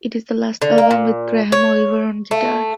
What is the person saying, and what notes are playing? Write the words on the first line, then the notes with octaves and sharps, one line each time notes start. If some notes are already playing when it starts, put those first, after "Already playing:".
It is the last album with Graham Oliver on guitar.
D3
A#3
A#2
C#5
A3